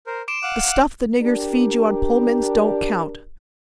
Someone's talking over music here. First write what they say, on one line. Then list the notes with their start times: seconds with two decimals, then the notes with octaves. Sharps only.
The stuff the niggers feed you on Pullmans don't count.
0.07 A#4 C5
0.28 C6 D6 D7 E7
0.43 F5 F#5 D6 F#6
1.22 D4 G4 A#4